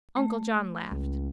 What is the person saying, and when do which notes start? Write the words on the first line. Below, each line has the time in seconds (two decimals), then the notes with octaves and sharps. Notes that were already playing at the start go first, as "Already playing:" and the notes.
Uncle John laughed.
0.17 A3
0.92 C#2